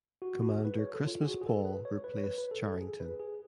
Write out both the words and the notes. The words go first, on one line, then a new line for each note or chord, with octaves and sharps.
Commander Christmas Paul replaced Charrington.
F#4
F#4
G#4
B4
C#5
A4
F4
G#4
F#4
G#4
A4
B4
C#5
B4
C#5
B4
B4
A4
A4
G#4
B4
G#4